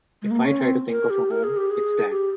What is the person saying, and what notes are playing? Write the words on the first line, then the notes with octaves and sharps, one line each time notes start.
If I try to think of a home, it's that.
G#3
A#3
C#4
C4
A#4
G4
A#4
G#4
G4
G#4
G4